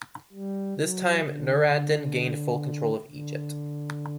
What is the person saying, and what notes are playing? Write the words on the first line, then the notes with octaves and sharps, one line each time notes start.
This time Nur ad-Din gained full control of Egypt.
G3
F#3
D3
D3